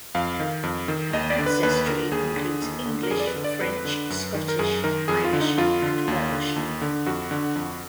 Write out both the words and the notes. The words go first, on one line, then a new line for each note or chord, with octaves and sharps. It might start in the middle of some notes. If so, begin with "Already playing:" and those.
Her ancestry includes English, French, Scottish, Irish, and Welsh.
F2 F5
D#3
F2
D#3
D#2 D#5
D5
D3
B4
D#2 B4
D3 A#4
D#2 G#4
D3
D#2
D3
A#4
F2 G#4
D5
B4
D3
D5
F2 B4
D3
F#2
D#3
A#4
F#2 G#4
D#3 A#4
F2 G#4
F4
D3
D#4
F2 F4
D3
D#2
D3
D#2
D3
F2 F#4
D3
F2